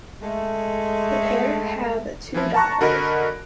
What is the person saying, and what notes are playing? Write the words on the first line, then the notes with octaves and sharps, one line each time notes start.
The pair have two daughters.
G#3 A3
E3 F3 E4
A5 A#5 C#6 F#6 A#6
D3 F#4 A#4 D#5 B5 D7